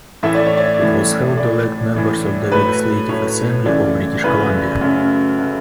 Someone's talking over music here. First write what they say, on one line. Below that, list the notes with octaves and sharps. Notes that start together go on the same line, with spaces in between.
It was held to elect members of the Legislative Assembly of British Columbia.
A2 E3 A3 E5
D5
C#5
D5
A2 E3 A3
A2 E3 A3 D5
A2 E3 A3
A2 F#3 A3 B4
A2 F#3 A3 C#5
F#2 C#3 E3 A3 D5
F#2 C#3 E3 A3 B4
F#2 C#3 F#3 A3
C#3 F#3 A3